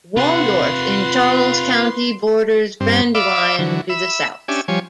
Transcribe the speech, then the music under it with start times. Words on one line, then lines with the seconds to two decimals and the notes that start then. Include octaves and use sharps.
Waldorf in Charles County borders Brandywine to the south.
0.17 C3 F4 B4 F#5 C6
2.80 G2 C4
3.15 D5 E5 F5 B5 D6 E6
3.59 D3 E3 F#3
3.89 E5 B5 E6
4.48 C#4 D4 G4 E5 G#5
4.68 F3 G3 C#5 G#5